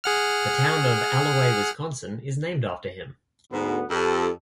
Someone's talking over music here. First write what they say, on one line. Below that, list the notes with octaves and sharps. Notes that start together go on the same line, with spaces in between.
The town of Allouez, Wisconsin is named after him.
G#4 F#5 F6
D2 G#2 B3
F2 G4 A4